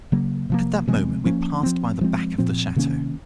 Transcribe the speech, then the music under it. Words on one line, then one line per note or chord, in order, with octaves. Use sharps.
At that moment we passed by the back of the chateau.
C#3 F#3 A#3
C3 F3 A#3
C3 F3 G#3 C4
F3 A#3 C#4
F3 C4
F3 G#3 C4
A#2 F3 C4
C3 D#3 A#3 C#4